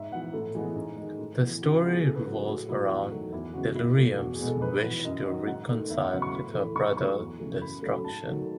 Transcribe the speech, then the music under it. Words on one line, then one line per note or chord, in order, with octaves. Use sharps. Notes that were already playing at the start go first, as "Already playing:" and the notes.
The story revolves around Delirium's wish to reconcile with her brother Destruction.
Already playing: G#2 E5
E3 B3 F#5
A2 A4
E3 G#3 B3 G#4
G#2
D#3 G#3
A2
E3 B3
C#3 F#4
E4
G#3 B3 F#4
G#4
C#3 A4
B4
F#3 A3 A4
G#4
A2 F#4
F#3 A3 E4
E2 F#4
D#3 F#3 A3
E2 E4
C#3 G#3 B3 F#4
B2 E4
F#3 A3
E2 F#4
G#4
B2 G#3 B3
A4
G#2 B4
E3 B3
F#2 D#5
D#3 F#3 D#5
G#2 F#5
D#3 A3
E2 E5
D#5
C#3 F#3 B3 F#5
C#6
A2 B5
E3 A3
G#2 C#6
F#3 A3 C#6
E2
C#3 E3 A3
F#2 B5
C#3 F#3 A3
G#2 A5
D#3 F#3 A3